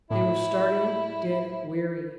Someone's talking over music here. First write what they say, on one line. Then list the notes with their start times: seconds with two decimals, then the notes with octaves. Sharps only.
They were starting dead weary.
0.10 A2 E4